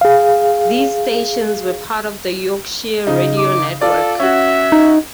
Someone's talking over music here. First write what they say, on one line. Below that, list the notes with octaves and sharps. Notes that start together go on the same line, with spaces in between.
These stations were part of the Yorkshire Radio Network.
G#4 F5
C#3 D#4
D6
F4 A4 D5
C#4 F#4 E5
D#4